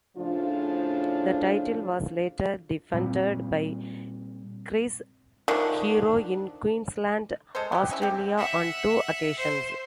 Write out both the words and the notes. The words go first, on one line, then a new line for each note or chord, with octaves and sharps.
The title was later defended by Chris Hero in Queensland, Australia on two occasions.
A2 C#3 F3 D4 F4
A#2 G3 B3 C4
D3 D#3 F3 A3 D4
G#3 A4 C5
F#3 G4
C#4 D#4 E4
C4 G4
E5 F#5
C5